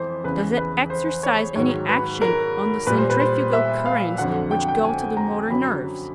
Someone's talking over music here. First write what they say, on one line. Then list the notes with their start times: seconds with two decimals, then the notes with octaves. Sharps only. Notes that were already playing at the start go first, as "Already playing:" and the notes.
Does it exercise any action on the centrifugal currents which go to the motor nerves?
Already playing: F2 E3 C5
0.24 E2 C#3 E3 B4
0.57 B4
0.90 C5
1.23 C#5
1.56 G#2 D#3 F#3 C#5
1.89 B4
2.22 A#4
2.87 A#2 G3 B4
2.98 C5
3.10 B4
3.20 C5
3.53 E5
3.86 F5
4.18 F2 D3 F#3 F#5
4.51 G5
4.68 G5
4.84 G#5
5.17 A#5
5.50 F#2 D3 F#3 B5